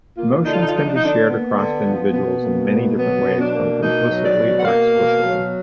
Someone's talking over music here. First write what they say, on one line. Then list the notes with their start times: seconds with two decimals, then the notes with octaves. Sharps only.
Emotions can be shared across individuals in many different ways both implicitly or explicitly.
0.16 A#3 F4
0.44 D3 D#4
0.52 F4
0.60 D#4
0.68 F4
0.72 F3 D#4
0.86 D4
0.95 D#4
1.00 D3 D4
1.28 A#3 B3
1.56 D3
1.85 F3
2.12 B2 B3
2.40 A#3
2.68 B2
2.97 F#3 B3
3.25 B2
3.39 D4
3.53 A#3
3.81 B2 D#4
4.09 F#3
4.23 D5
4.37 B2
4.58 F#5
4.65 A#3 F5
4.93 B2
5.22 F#3